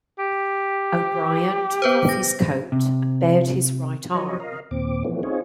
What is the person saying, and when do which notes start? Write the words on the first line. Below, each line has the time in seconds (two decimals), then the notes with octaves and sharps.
O'Brien took off his coat and bared his right arm.
0.19 G4
1.82 B3 B4 C5
2.09 A#6
2.72 C3
4.14 F3 F#3 C#5 D#5
4.40 A#4 D#5 F5
4.71 D#2 A#2 C4 D6
5.04 E3 F3 A3 B3 C#4
5.23 C4 D#4 F4 G#4 C#5